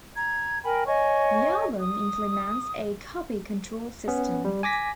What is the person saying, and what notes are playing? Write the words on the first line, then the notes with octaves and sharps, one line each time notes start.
The album implements a Copy Control system.
A#5 G#6
A#4 G5 G#5 B5
C#5 D#5 G#5 C#6
D#6
B3 C#4
G3
G#5 D6 A#6 B6